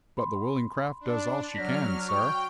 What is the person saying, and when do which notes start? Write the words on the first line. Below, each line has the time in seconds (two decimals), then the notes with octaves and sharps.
"But the willing craft does all she can, sir."
0.17 B5 C6
1.01 D4
1.55 F#3 D5 F6 A#6 B6
2.09 G5 C#6